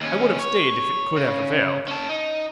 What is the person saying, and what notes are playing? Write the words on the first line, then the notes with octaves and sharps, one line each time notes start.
"I would have stayed if it could have availed."
D#2 C#4
C#5
C#3
C#4 A5
D#4